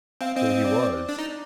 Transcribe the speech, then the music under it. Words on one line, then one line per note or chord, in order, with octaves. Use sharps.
So he was.
C4 F5
C4 D#5
D#5
D5
D5
D4
D#4